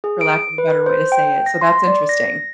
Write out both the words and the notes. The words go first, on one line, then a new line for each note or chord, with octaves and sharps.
for lack of a better way to say it, so that's interesting.
G#4
D7
B4
C5
G5
A#6
C6
D5
A#6